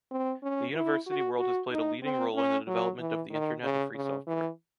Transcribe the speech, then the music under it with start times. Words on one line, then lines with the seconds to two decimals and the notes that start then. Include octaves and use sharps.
The university world has played a leading role in the development of the Internet and free software.
0.11 C4
0.43 C#4
0.76 E4
1.07 F#4
1.39 F#4
1.71 D#4
2.03 C4
2.35 C#4
2.67 F#3
2.99 E3
3.31 D#3
3.63 C#3
3.95 C#3
4.27 E3